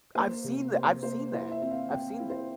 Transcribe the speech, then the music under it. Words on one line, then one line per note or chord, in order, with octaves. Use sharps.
I've seen tha I've seen that. I've seen that.
A#3 C5
C3
A#3 C5
A#3 C5
E4 C5
E5
C4
F5
C4 G5
F5
E4
C5